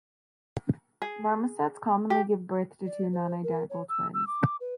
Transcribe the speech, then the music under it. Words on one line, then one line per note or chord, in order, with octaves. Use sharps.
Marmosets commonly give birth to two non-identical twins.
G#4
G4
D5
C5
A#4
C#5
E6
E6
D6
B4